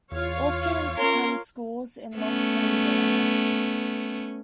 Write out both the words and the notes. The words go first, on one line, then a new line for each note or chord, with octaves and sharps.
All students attend schools in Lost Springs area.
E2 F4 C#5 F5
C#4 A#4 C6
A3 B3 C#4